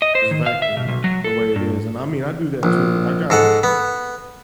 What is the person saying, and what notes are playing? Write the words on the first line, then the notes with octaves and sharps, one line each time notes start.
just vacuum the way it is, and I mean, I do that too, I got
D#5
C5
D#3
F5
E5
B2
B1
F#3
A4
G2
A#1
G#2 A4 F#5
B3